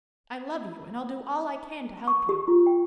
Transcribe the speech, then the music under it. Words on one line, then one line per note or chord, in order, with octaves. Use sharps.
I love you, and I'll do all I can to help you.
C#6
G4
F4
G5